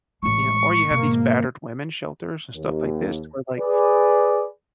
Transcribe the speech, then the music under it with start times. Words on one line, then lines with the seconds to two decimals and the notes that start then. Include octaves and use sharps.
you know, or you have these battered women's shelters and stuff like this to where, like,
0.23 A1 G#3 C#6
0.90 G#1 B2 D#3 A#3
2.55 D#2
3.59 G#4 B4 D5